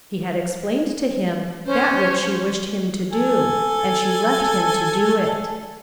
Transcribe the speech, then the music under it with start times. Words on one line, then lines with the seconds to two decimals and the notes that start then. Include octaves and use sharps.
She had explained to him that which she wished him to do, and she left him to do it.
1.66 C#4 C5 C#5
3.12 A4 G#5